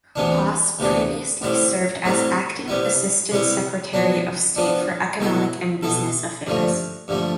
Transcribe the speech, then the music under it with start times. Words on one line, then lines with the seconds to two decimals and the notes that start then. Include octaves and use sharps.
Haas previously served as acting assistant secretary of state for economic and business affairs.
0.16 D2 C3 E3 B3 D4
0.79 D2 C3 E3 B3 D4
1.42 A2 G3 C4 E4
2.04 A2 G3 C4 E4
2.68 C3 G3 B3 E4
3.31 C3 G3 B3 E4
3.93 F3 B3 D4
4.56 F3 B3 D4
5.20 B2 B3 E4 A4
5.83 B2 B3 E4 A4
6.46 G2 D3 F3 A3
7.08 G2 D3 F3 A3